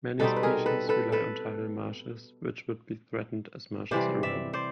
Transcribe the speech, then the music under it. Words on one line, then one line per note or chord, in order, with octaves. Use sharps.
Many species rely on tidal marshes which would be threatened as marshes erode.
B2 G3 C4 D#4 A4 B4
B4
G#4 A#4
A4 B4
A4 B4
A4 B4
C3 E3 G3 C5 D5
D5 E5
C5 D5